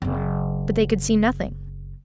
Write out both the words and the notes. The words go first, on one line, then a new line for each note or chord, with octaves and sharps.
But they could see nothing.
F#1 C4